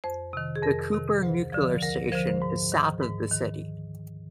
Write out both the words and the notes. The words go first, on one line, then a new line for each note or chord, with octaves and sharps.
The Cooper Nuclear Station is south of the city.
F2 C5
C3 D#3
G#4
F2 A#4
C3 D#3
D2 C5
D3 F3
D2 A#4
A#4
D3 F3 C5
C5
G#2
D#3
G#2
D#3